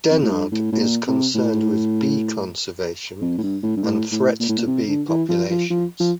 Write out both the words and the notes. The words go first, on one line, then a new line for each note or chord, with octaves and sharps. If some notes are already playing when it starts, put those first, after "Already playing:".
Dennard is concerned with bee conservation and threats to bee populations.
F2
A2
G2
A2
A2
A#2
C3
A2
F2
A2
G2
A2
G2
A2
A2
A#2
A2
A#2
C3
D3
E3
F3
F3
F3
F3